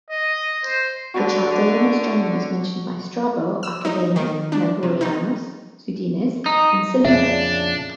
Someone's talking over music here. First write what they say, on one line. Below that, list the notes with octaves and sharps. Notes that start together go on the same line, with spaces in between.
The "Chaldaean" astronomers mentioned by Strabo are Kidenas, Naburianos, Sudines, and Seleukos.
D#5
C5
D3 F#4
E6
D#4
D#3
D4
C3
D#4
D#4
F2 A#2 C#3 D4 E5